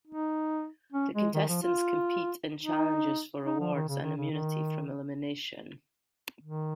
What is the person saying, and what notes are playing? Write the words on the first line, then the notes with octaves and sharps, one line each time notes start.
The contestants compete in challenges for rewards and immunity from elimination.
D#4
C#4
G#3
D#3
F3
F4
D#4
D#4
F3
D#3
C#3
D#3
C#3
D#3
D#3